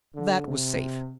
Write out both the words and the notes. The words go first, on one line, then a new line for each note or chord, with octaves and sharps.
That was safe.
D3
C3